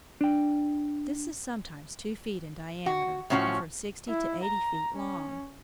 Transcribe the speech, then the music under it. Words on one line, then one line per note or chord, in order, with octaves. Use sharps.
This is sometimes two feet in diameter and from sixty to eighty feet long.
D4 G5
F#4
A2 F3 C#4 E4 F#4
E4
A#5
C#4